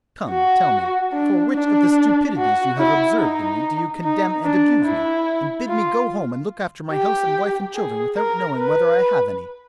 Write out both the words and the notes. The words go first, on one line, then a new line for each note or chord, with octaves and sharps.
Come, tell me, for which of the stupidities you have observed in me do you condemn and abuse me, and bid me go home and look after my house and wife and children, without knowing whether I have any?
F#4
D4
D4
F#4
E4
D#4
D#4
D4
E4
F4
G4
G#4
A#4
B4